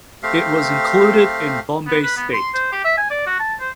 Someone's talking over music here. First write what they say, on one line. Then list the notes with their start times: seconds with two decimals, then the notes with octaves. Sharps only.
It was included in Bombay state.
0.23 A3 C4 G4 F5
1.87 B3
2.02 B4
2.17 B3
2.33 C6
2.54 C5
2.72 G4
2.85 E5
2.98 G#5
3.10 D5
3.26 F#4
3.39 A5
3.60 C5